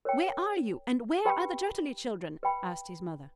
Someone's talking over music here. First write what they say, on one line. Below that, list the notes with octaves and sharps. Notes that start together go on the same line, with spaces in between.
"Where are you, and where are the Jutterly children?" asked his mother.
A#4 C#5 G5
G4 B4 G5 B5
B4 G5 B5